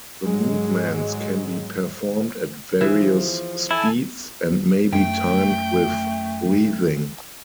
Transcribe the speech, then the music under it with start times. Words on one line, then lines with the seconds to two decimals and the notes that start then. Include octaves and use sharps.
The movements can be performed at various speeds and may be timed with breathing.
0.20 G#2 F#3 G#3
2.81 E3 F3 G#4 E5
3.71 E4 A4 G#5 A5
4.93 F#2 A3 G5